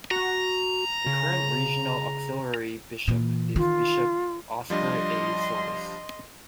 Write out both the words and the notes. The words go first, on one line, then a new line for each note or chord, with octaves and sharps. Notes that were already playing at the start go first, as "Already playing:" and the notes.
The current regional auxiliary bishop is Bishop Oscar A. Solis.
F#4 A#5
C#3
A#2 E3
D#3 F4
F3 G3 D4 D#5 C6